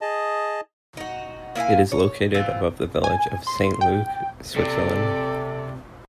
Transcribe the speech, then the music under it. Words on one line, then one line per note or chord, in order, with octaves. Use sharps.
It is located above the village of Saint-Luc, Switzerland.
G#4 D#5 A5
D#4 F#4
A#3 E4 F5 G#5
C#5
E3 C4 F4
G#5
C6
G5
C3 A4 D5